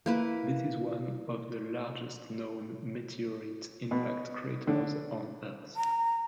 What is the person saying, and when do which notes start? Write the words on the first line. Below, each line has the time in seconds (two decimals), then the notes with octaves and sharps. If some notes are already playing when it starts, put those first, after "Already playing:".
This is one of the largest-known meteorite impact craters on Earth.
0.06 A#3 E4 B4
3.91 B2
4.67 D3
5.77 A#5